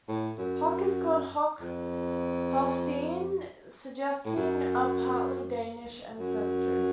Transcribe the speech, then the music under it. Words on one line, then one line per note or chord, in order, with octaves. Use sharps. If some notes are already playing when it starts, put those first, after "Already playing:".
Hoc is called "Hoc Healfdene", suggesting a partly Danish ancestry.
A2
F#2
F2
A2
F#2
F#2